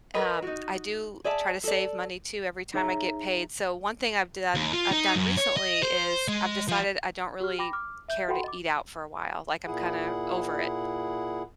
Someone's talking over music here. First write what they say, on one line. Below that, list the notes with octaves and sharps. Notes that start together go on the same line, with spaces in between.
um, I do try to save money too every time I get paid, so one thing I've done I've done recently is I've decided I don't really care to eat out for a while, like, I'm kinda over it,
A#4 B4 D#5
D#4 F#4
G#4 D5 E5 A5
A4 D5
D#4 G#4 C#5 E5 F5 A#5
D#2
F4
D#4
F#2
C#5
D#5
C5
G#3
F3
F#4 G4 F6
G5 B5 D6 A#6
D6 F6
E5 G6
F#4 A4 F#5 G5 B5 C6
D#5 D6
A#2 E4 G#4 F#5